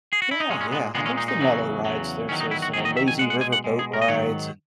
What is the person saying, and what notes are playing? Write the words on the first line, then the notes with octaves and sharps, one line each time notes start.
Yeah, yeah. There's the mellow rides, there's those, uh, lazy river boat rides and,
G#4
F#4
E4
D#4
A#2 G#3 C#4
C#4
B3
A#2 G#3 B3
C#4
D#4
D#4
E2 C#3 F#3
E2 C#3 F#3
E2 D#3 F#3 C#4
D#4
E4
F#4
E2 D#3 F#3 G#4
D#5
E5
G#5
B2 G#3 F#5
F#5
G#5
F#5
B2 G#3
G#4
A#4
D#5
G#2 D#3 F#3 C#5